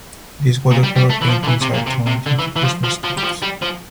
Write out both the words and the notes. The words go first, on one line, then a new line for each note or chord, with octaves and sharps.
These watercolor paintings are turned into Christmas cards.
A#2
G3
G3
A3
E3
F3
D3
E3
C3
A#2
C3
C3
D3
E3
E3
F3
F3
F3
G3
F3
G3
F3